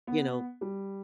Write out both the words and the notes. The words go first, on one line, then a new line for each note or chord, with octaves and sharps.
you know,
B3
G3